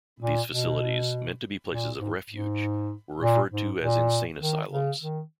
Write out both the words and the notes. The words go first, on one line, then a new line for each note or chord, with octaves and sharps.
These facilities, meant to be places of refuge, were referred to as "insane asylums".
A#2
B2
A#2
G#2
G#2
A#2
G#2
A#2
D#3
C#3
D#3